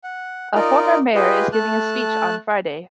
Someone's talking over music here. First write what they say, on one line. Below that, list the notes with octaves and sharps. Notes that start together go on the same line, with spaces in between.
A former mayor is giving a speech on Friday.
F#5
D#4 F4 A#4 D5 D#5
F4 G4 G#4 B4 D#5
A3 A5 F#6